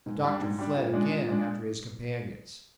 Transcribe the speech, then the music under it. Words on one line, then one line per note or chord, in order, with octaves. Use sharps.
The doctor fled again after his companions.
G#2
G3 D4
G#2
G3 D4
A#2
G#3 D4
A#2
G#3 D4